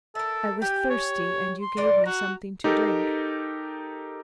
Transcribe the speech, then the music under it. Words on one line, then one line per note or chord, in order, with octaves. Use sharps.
I was thirsty, and you gave me something to drink.
A4 A#4 E5
G4 G5 G#5
C#5
C6
E3 D4 A#4
F#4 A#5
D#4 G4 A4 A#4